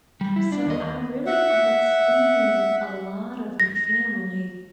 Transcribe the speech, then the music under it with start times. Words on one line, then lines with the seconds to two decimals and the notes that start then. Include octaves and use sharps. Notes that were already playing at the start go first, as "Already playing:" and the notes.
so I really haven't seen a lot of my family
0.21 G3
0.36 E4
0.52 D4
0.66 D#2 D#5
1.26 E5 F#5
3.60 A#6